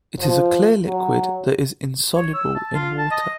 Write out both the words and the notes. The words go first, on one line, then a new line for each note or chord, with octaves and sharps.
It is a clear liquid that is insoluble in water.
F3
F#3
C#5
E6
A5
F4
A5
D#5